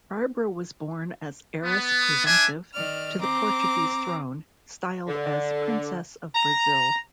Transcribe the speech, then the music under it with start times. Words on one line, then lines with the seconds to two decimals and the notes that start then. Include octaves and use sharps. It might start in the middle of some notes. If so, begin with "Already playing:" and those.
Barbara was born as heiress-presumptive to the Portuguese throne, styled as Princess of Brazil.
1.64 B3
2.25 D4 E5 G#5
2.74 D#3 D5 F6
3.19 C4 A#5 D6
5.08 D3
6.35 A#5